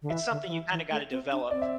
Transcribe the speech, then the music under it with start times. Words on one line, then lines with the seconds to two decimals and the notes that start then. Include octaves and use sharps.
it's something you kinda gotta develop.
0.02 D3
0.10 E3 E5
0.31 D3
0.47 F3
0.51 E3
0.71 E3
0.91 A3
1.11 C4
1.32 D4
1.51 C4 D5
1.62 E5